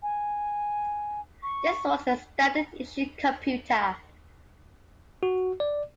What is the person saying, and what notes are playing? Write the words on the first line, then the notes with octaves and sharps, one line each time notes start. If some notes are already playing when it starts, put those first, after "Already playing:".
This was the standard issue computer.
G#5
C#6
F#4
D5